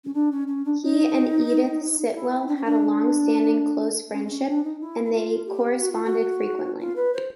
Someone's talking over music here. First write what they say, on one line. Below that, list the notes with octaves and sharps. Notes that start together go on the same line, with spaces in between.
He and Edith Sitwell had a long-standing close friendship and they corresponded frequently.
C#4
D4
C#4
C#4
D4
D#4
E4
D4
C#4
D4
C#4
C4
C#4
D4
D#4
E4
E4
F4
G4
F#4
F4
F#4
F4
B4
C5